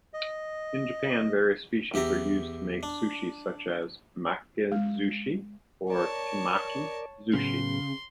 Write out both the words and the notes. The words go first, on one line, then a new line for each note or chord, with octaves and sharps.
In Japan, various species are used to make sushi such as "maki-zushi" or "temaki-zushi".
D#5
E2 G4 E5 A#5
D4
G#3
A#4 C#5 D5 A5
A2 C#3 F#3 B3 C6